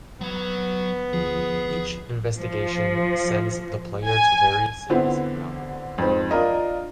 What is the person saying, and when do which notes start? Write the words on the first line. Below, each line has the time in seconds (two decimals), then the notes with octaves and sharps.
Each investigation sends the player to various cities around the world.
0.21 F#3 B3 F#5
1.13 D2 F3 G#4
2.36 F3
4.07 G#5
4.90 D3 B3 C4 E4
5.98 F2 G#2 C4
6.31 D4 F4 A#4 D#5